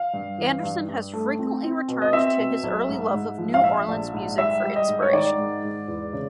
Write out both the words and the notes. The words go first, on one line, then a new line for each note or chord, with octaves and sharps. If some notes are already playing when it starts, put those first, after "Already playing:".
Anderson has frequently returned to his early love of New Orleans music for inspiration.
Already playing: F5
G2
E3
G2
G2
A3
C4
C4
B2
D#5
C4 E5
B2
B1
G#2
G#2
F3
F5
A#1 E5
A#1
G#2
G3 E5
G3
D#5
G#2
C#5
D#3 D5
G#2
G#2
E2
C#3